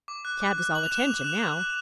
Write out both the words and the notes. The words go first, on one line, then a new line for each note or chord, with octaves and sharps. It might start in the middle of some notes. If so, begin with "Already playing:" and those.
Tad was all attention now.
D6
F#6
D6
F#6
D6 F#7
F7
F#6 E7
F7
D6
F#6
D6
F#6